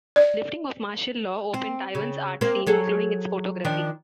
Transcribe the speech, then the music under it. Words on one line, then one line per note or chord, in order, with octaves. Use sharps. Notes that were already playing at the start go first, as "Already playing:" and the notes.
The lifting of martial law opened Taiwan's art scene, including its photography.
D5
C4
C#3
A#3 C4
F#3 G#4 A4
D#3 F3 D4